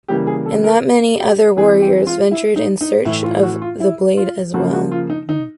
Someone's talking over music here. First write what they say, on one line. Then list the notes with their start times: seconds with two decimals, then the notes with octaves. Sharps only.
And that many other warriors ventured in search of the blade as well.
0.08 C#3 E3 G3 A#3 G4
0.27 G#4
0.46 A4
0.64 A#4
1.20 G4
1.57 E3 G#3 C4 G#4
1.82 G4
2.07 F4
2.31 E4
2.56 D#4
2.81 D#4
3.05 A2 E3 A3 E4
3.24 F4
3.43 F#4
3.62 F4
3.80 E4
4.17 F4
4.54 C#3 F3 A#3 F#4
4.73 F#4
4.92 F4
5.10 D#4
5.29 D#4